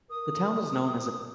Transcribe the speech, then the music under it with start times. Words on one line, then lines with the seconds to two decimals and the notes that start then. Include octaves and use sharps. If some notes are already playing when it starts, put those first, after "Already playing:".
The town is known as a balneologic and climatic resort.
0.11 A#4 D#6